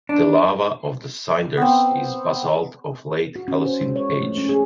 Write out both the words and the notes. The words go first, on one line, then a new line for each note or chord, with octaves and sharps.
The lava of The Cinders is basalt of late Holocene age.
D4
B3 C4
F#4
C#4
C5
G#3
C#5
F3
A3
C#4
G#4